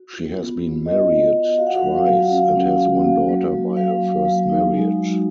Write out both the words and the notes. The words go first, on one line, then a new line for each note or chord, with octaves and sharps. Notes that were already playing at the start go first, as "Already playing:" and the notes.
She has been married twice and has one daughter by her first marriage.
Already playing: F#4
F4
B3
F4
F4 D#5
F4
F4
F#4 F5
F#5
F5
F#3
F#3
C#4
C#4
F#4
A#3
F#3
F#3
F#3 F5
F#3
F#3
D#4
G#3
F#4